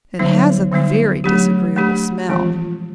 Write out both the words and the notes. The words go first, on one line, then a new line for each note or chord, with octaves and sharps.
"It has a very disagreeable smell."
D3 F#3 G3 B3 D#4
D3 G3 B3 D#4
F#3 A3 D4 G4
A3 D4 G4
E3 F3 G#3 C4